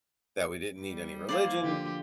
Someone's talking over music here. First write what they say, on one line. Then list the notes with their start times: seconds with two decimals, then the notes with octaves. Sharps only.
that we didn't need any religion,
0.79 G3
1.29 A#3 C5 D5
1.61 D3 F3 G4